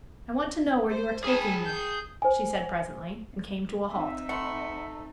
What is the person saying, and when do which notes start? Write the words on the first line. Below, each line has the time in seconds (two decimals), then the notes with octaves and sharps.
"I want to know where you are taking me," she said presently, and came to a halt.
0.91 C5
1.24 G#4 G#5 A5 B5 D#6
1.65 G6
2.22 C5 G#5
3.89 C4 D#4 E5
4.29 A3 F#5 B5 C6